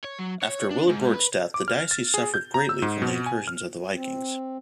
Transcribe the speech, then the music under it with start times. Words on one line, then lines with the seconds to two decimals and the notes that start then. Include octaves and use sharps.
After Willibrord's death the diocese suffered greatly from the incursions of the Vikings.
0.05 C#5
0.19 F#3
0.43 C#5
0.71 D4
0.89 G#2
1.13 B4
1.54 D6
1.68 F6
1.91 A6
2.14 G#4
2.34 G6
2.54 A#5
2.69 E6
2.82 G#2
3.02 B2
3.26 G#5
3.48 F6
3.94 C4